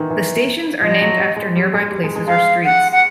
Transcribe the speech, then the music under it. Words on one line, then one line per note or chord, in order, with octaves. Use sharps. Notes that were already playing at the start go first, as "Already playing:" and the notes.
The stations are named after nearby places or streets.
Already playing: D#3 E3
E3
F3 D#5
F#3
G3
G#3
G3
G#3
G3
G#3
G#3
G#3 F5
F#5
F#5